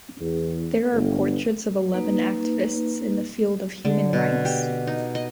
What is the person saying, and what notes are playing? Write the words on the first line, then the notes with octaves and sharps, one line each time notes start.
These are portraits of eleven activists in the field of human rights.
E2
G1
A#3 D#4 B4
D3
B2
G4
D#4
D#5